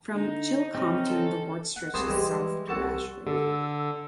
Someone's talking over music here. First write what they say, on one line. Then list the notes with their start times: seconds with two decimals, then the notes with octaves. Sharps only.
From "Chilcompton" the ward stretches south to Ashwick.
0.14 D3 D#4
0.75 C#3 C4 C#4
1.08 A4
1.76 F#5
1.94 C2 G#2 G3 C5 A5 D#6
2.07 E3 G3 G#3
2.68 C2 F#4 A4 A5 C#6
3.27 D3 A4 E6